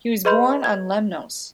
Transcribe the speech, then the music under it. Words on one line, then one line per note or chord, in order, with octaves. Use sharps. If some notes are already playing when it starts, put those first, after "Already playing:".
He was born on Lemnos.
G#4 B4 D#5 B5 C6 G6
G#6